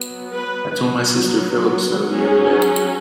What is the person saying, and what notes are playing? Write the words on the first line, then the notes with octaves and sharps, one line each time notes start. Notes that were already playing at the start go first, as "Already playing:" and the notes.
I told my sister Phillips so the other day.
Already playing: F#3 B3
B4
F#3 B3
F#3 C#4 G#4